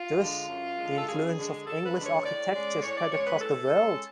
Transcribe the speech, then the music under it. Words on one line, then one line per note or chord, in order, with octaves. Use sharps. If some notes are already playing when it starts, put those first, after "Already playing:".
Thus, the influence of English architecture spread across the world.
Already playing: F4
D3 G#3
F#2
D3 G#3
A4
F#2 G#4
D3 G#3
F#2 A4
B4
D3 G#3
C#5
A2 D5
G#3 C#4
A2 C#5
D5
G#3 C#4 C#5
B4
A2 A4
G#3 C#4